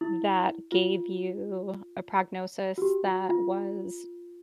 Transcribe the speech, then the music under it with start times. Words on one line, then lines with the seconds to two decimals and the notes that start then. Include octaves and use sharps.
that gave you a prognosis that was
0.01 E4
0.72 F4
2.78 F#4
2.82 G4
3.05 F#4
3.29 F4